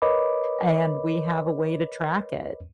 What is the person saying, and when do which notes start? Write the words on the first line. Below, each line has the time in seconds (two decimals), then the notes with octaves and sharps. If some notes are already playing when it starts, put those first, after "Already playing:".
and we have a way to track it,
0.02 A#4 B4 C#5 D#5 B5 D6